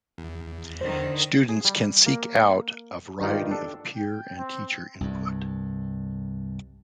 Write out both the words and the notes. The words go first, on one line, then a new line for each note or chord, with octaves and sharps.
Students can seek out a variety of peer and teacher input.
E2
D3 D#3 C5
G#4
G3
A#3
G2 D#3 D#4 F4 G4
D4 A4
G5
C4
C2 G2